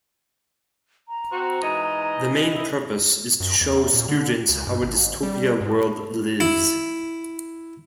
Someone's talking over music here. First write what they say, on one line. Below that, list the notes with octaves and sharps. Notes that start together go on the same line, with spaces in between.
The main purpose is to show students how a dystopia world lives.
A#5
C4 F#4
G#2 E3 D#5
E4
F#2
E2
A#2
D3
C#2
G2
G#1
G3
G#2
E4